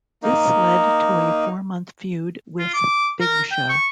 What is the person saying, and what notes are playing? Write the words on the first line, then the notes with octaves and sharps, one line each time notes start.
This led to a four-month feud with Big Show.
A#3 D#4
F4
D6
A#4
G5
C#6